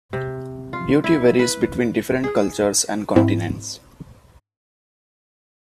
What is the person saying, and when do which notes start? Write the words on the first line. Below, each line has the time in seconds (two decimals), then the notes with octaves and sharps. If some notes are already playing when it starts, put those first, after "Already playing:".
Duty varies between different cultures and continents.
0.13 C3
0.73 F4
1.04 E4
1.39 B4
2.24 G#4
3.16 G#2 C4 E4